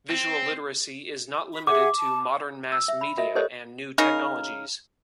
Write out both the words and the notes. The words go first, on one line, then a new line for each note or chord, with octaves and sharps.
Visual literacy is not limited to modern mass media and new technologies.
C4
B5
G#4 E5 F#5 D6
A5
E6
E5
B5
F#4 A#4 D#5 E5
G4 A4 A#4 C5 C#5 D#5
C#3 D#4 A#4